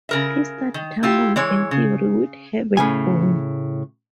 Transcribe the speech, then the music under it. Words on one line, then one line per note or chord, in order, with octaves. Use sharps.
He studied harmony and theory with Herbert Bourne.
C#3 A#4 E5
D#3
E4 F4 G4
E3 G#3 C#5
C#3
A2 C#3 G#5